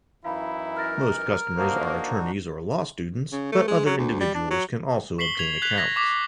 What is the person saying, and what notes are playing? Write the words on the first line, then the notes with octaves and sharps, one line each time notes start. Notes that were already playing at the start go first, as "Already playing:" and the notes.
Most customers are attorneys or law students, but other individuals can also obtain accounts.
F#2 E3 D#4 E4 F5 B5
A#4 F6 A6 A#6
A#3 D4 D#4 F#4 C5 D#6
C#3
A3
G#3
F#3
D2
G3
D4
F#3
C#6 B6 C7 F#7 G7
G#6 F7
F#6 G#6 B6 F7
G#6 A#6 B6
C#6 D6 B6